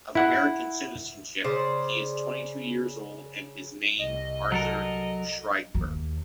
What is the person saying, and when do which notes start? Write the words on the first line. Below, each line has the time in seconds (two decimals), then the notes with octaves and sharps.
Of American citizenship, he is twenty-two years old and is named Arthur Schreiber.
0.15 E4 F#5
1.44 C#3 C5 D5
3.99 C2 D#5
4.52 F#3 A4 A#4
5.75 D#2